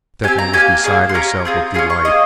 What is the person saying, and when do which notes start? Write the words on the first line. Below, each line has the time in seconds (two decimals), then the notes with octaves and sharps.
Stephanie was beside herself with delight.
0.24 C4 G4 G#5
0.38 A#5
0.54 A#3 D#4 G4 G#5
0.84 A#3 C#4 G#4
1.09 C6
1.14 C#4 G4 A#5
1.45 C4 F4 G#4
1.74 F4 G#4 C6
1.79 C#4
1.90 C#6
2.05 C#4 G#4 D#5
2.10 A#3